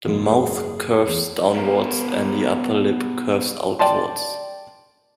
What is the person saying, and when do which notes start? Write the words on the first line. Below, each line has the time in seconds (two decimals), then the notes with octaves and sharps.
The mouth curves downwards and the upper lip curves outwards.
0.05 F#1 G#2 G#4
1.07 E2 G#4
1.56 B2 A#4
3.79 D5 G5 A5 C6